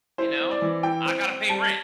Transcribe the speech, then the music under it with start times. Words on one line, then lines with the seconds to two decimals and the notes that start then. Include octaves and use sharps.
you know, "I gotta pay rent,"
0.18 E4 C5
0.40 C4
0.51 D5
0.62 E3
0.83 E4 G5
1.06 C4
1.27 C4
1.49 G3 A5